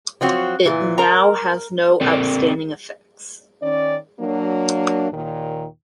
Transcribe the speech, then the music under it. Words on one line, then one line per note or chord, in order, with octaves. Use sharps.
It now has no outstanding effects.
F3 F#3 C4 F#4
A#2 E3
A#4 A#5
C4 A4 A#4 D5
D#3 C#4 D5
F#3 A#3 D4
D#2 A#2 D#3